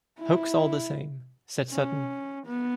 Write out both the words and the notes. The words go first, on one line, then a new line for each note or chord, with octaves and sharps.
"Hoax all the same," said Sutton.
E4
C#4
B3